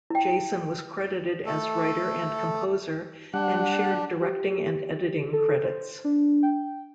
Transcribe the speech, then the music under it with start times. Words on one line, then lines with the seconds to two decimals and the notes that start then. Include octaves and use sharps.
Jason was credited as writer and composer, and shared directing and editing credits.
0.10 E4 G5
1.46 A3 A4
3.34 G3 D4 F#5
4.21 G4
5.33 A4
5.64 C5
6.04 D4
6.43 G5